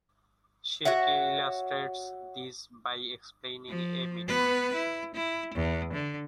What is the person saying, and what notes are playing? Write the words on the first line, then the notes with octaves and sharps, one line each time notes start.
Shirky illustrates this by explaining a meeting.
F#4 C#5 E5 F#5
F3
B3 B4
E4
E4
E2
D3